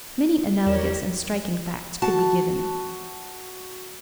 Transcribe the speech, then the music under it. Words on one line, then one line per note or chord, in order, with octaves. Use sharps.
Many analogous and striking facts could be given.
E2 G4 A#4 C#5 D5 E7
F#4 A5